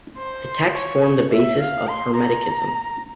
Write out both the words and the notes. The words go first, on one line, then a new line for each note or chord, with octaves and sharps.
The texts form the basis of Hermeticism.
C5
C#5
C#5
E5
F5
C6
A#5